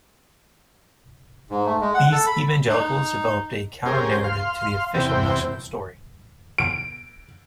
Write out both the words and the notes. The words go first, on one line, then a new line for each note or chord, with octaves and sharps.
These Evangelicals developed a counter-narrative to the official national story.
G#2
A3
G#3
F#5
A4
B5
D#4
C#4 G4 G#4 A#4 C5
F5 C6
E2 C3 C4 E4 G5
D7